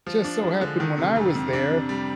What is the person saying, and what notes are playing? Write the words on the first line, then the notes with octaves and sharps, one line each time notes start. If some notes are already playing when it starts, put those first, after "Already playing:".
just so happened when I was there,
F3
D4
G#3
D3
D#3
C3
F2
F2
D4
C3
G3